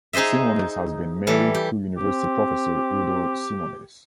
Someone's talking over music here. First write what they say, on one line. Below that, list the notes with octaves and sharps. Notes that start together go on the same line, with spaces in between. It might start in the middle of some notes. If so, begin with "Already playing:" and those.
Simonis has been married to university professor Udo Simonis.
D#4 G#4 C5 D#5 E5
E3 G3 A4
G4
C4 G4